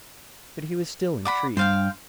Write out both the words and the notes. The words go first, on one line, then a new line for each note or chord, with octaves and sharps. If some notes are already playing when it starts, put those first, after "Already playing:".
But he was still intrigued.
D5 F#5 B5
G2 C5 F5 G5